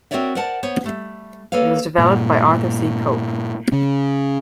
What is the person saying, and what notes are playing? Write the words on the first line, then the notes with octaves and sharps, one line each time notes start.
It was developed by Arthur C. Cope.
C4 F#4 A#4 C#5 D5 E5
A#4 C5 D5 F#5 A5
B3 C5 C#5
G3 A3
A#3 A4 B4 C#5 F5
G2 A#2
C#3 C#4